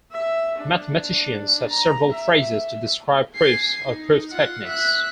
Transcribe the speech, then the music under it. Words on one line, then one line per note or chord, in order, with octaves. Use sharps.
Mathematicians have several phrases to describe proofs or proof techniques.
E5
D4
A#5
E5
G#5 C7
D#4
F4 F#5
E5 F#6